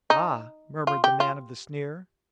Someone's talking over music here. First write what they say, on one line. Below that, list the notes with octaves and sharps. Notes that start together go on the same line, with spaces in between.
"Ah!" murmured the man of the sneer.
D#4
F4
G4
F4